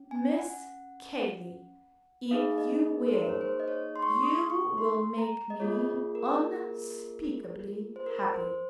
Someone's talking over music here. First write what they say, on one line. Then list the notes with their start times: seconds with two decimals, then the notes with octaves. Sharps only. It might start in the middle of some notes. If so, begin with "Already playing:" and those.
'Miss Cayley, if you will, you will make me unspeakably happy.'
Already playing: C#4
0.11 G#5
0.39 F#5
2.31 A#3 D#4 G#4 F5
2.58 D#5
3.08 C5
3.13 A#4
3.29 C#5
3.41 C5
3.60 D#5
3.68 C#5
3.96 C6
4.02 C#6
4.10 C6
4.23 D#6
4.50 C#6
4.78 C6
5.18 A#5
5.50 D#5
5.60 A#3 F4 G#4 C#5
6.15 A#4
7.96 C5
8.06 A#4
8.34 C5